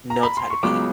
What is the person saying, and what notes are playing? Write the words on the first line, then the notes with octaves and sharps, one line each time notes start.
notes had to be
A#5
B5
C6
C#6
C#2 C#3 F#3 B3 D6